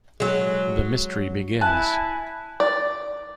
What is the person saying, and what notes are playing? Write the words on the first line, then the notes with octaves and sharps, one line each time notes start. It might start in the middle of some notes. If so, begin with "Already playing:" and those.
The Mystery Begins.
F#3 G#3
E4 G#5 A5 F#6
D5